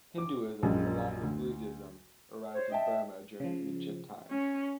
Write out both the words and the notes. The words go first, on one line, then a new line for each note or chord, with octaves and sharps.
Hinduism, along with Buddhism, arrived in Burma during ancient times.
D6
A#1 F#2 G3 G#3
D2
C5 C#5
D#5 E5 G5 A5
C#3 F3
C#4